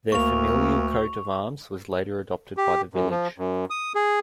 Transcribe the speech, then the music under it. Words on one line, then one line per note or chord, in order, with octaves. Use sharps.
Their familial coat of arms was later adopted by the village.
D2 A#3 C#6 F7
G4
F#2
F3
F#2
D#6
G#4